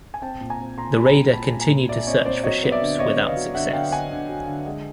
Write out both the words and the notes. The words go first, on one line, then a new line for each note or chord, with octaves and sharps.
The raider continued to search for ships without success.
G#5
C4 G5 A5
A#2
G#5 A#5
C4
A#2 A#5 C6
G3 B5
G#5 A#5
C4
A#2 A5 B5
A#2
G#5 A#5
A#2
A#2 D5 E5
C4 C#5 D#5
C4 C5 D5
F#3 C#5 D#5
B3
D5 E5
D3
B3 C#5 D#5
B3
D#5 F5
F#3
D3 E5 F#5
D3 F5 G5
D3 F#5 G#5
D3
F#3
D3
G#3